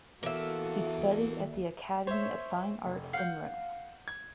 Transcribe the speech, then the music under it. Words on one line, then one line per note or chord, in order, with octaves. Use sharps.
He studied at the Academy of Fine Arts in Rome.
E3 A#3 B3 F#4 A4 E5
C5 C#5 E5
F1
F5 F#5 G6
G#6